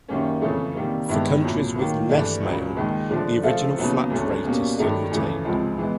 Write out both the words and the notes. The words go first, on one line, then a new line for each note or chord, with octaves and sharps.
For countries with less mail, the original flat rate is still retained.
F#2 D#3 G3 A#3 C#4
F2 C#3 E3 A3 C#4
C3 D#3 G3 A#3
G2 D#3 G#3 B3 E4
C2 A#2 F#3
D#3 F#3 A#3
G2 E3 A3 D4
C#2 C#3 F#3
D#2 D#3 G#3
D3 F3 A3 D4
C3 F3 A3 C4 F4
D#2 C#3 F#3 B3
D2 D3 F#3 A3 C#4
B2 G3 A#3 C#4
G2 D#3 F#3 A3 D4
D2 C#3 E3 A3
C#2 C3 F3 G#3
E3 G#3 B3